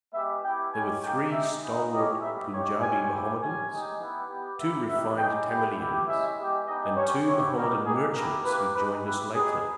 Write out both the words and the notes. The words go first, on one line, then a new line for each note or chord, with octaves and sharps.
There were three stalwart Punjabi Mahomedans, two refined Tamilians and two Mahomedan merchants who joined us later.
G#3 B3 G4 E5
B3 E4 G4 G5
G#3 C#4 G4 G#5
A#3 D#4 G4 G5
G#3 D#4 G4 E5
G#3 B3 D#4
A#3 C#4 G4 D#5
G3 B3 G4 E5
A#3 D#4 G4 C#5
G#3 C#4 G4 G#5
A#3 E4 G4
G3 C#4 G4 G#5
G#3 D#4 G4
B3 E4 G4
B3 G4
G3 A#3 E4 E5
B3 D#4 G4 E5
G#3 D#4 G4 G5
B3 E4 G4 G5
B3 E4 G4
G#3 C#4 E4 G4 E5
G#3 B3 G4
G#3 B3 D#4 G4 D#5
G3 C#4 G4 C#5
B3 E4 G4 C#5
G3 B3 D#4 G4 A#4
A#3 D#4 G4 G#4
B3 E4 G4 A#4
A#3 E4 G4 B4
G#3 D#4 G4 B4
B3 E4 G4 B4
B3 D#4 G4 G#4